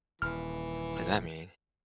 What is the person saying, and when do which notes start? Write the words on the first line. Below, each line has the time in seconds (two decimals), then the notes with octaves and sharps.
What does that mean?
0.22 D#1 E3 F6